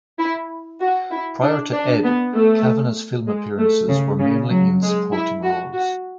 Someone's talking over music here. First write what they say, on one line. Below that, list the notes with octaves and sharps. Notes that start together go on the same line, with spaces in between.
Prior to "Ed", Cavanagh's film appearances were mainly in supporting roles.
E4
F#4
E4
D4
D4
B3
A3
G#3
A3
C#3
C#3
F#3
G#3
E4
F#4
F#4